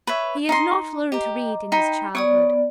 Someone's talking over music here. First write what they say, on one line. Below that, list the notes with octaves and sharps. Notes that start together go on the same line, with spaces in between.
He had not learned to read in his childhood.
B4 C#5 E5
D#4 D#5 C6
G4 D#5 A#5
D#4 G5 B5
B3 C#5 D5 D#6